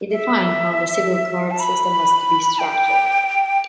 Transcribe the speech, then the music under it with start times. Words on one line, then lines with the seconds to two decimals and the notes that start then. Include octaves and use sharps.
It defined how the civil court system was to be structured.
0.12 E5
1.51 A5
1.60 B5
2.59 G5